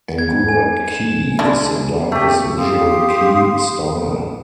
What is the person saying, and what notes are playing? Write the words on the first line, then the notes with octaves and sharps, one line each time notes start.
Angura kei is the darkest visual kei style.
G#6
G#5
E7
D3 G#3 D4
A3 G4
G4 F5 C6 D#6